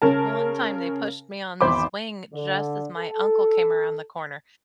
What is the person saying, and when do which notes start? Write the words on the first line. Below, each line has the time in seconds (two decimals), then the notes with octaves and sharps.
One time, they pushed me on the swing just as my uncle came around the corner.
0.02 C#3 C#4 A#4 A5
1.61 G#1 E2 C5 B5 D6
2.34 D3
2.98 A4